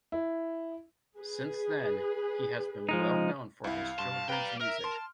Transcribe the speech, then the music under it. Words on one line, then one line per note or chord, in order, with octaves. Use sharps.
Since then, he has been well known for his children's music.
E4
G#4 B4
F3 G#3 D#4
C2 E4 F5
G2 A5 C6
B4 D5 G5 A#5
A#4 E5 F6
A5 C6